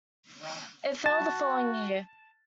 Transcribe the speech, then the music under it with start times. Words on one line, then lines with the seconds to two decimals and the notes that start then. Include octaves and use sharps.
It fell the following year.
1.06 F#4 A5 A6